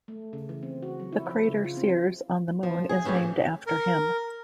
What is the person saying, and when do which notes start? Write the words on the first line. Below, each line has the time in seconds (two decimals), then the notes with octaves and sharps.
The crater Seares on the Moon is named after him.
0.08 A3
0.33 C#3
0.49 E3
0.63 C4
0.83 F#4
1.00 F#3
1.13 E4
1.26 F3
1.48 C#3
1.65 F4
1.77 C4
2.63 F3
2.89 G#4
3.05 A2 E3 C#4 G4
3.67 A#4